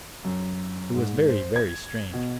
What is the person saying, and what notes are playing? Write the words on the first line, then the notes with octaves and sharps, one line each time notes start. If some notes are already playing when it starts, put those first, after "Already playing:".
It was very, very strange.
F#2
G#2
C5
G#6
B2